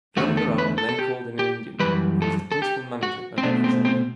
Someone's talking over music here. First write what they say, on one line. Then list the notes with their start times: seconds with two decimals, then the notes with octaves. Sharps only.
Joam Garral then called in an Indian who was the principal manager of the fazenda.
0.17 E2 D3 A3 F#4
0.37 A4
0.58 B4
0.78 A4
0.89 A4
0.99 G4
1.39 G4
1.80 F#2 E3 G3 B4
2.22 A4
2.52 A4
2.62 G4
3.03 F#4
3.38 C4
3.43 B2 A3 D4
3.64 C4
3.85 C4